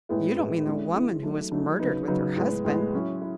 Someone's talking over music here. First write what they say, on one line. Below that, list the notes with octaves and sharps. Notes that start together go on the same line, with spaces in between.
"You don't mean the woman who was murdered with her husband?"
A2 G#3 B3 E4
A2 G#3 B3 E4
E3 G#3 C#4 E4
E3 G#3 C#4 E4
F#3 A3 D#4
F#3 A3 D#4
C#3 F#3 B3 D#4
C#3 F#3 B3 D#4
A2 G#3 B3
A2 G#3 B3
F#3 C#4 E4
E4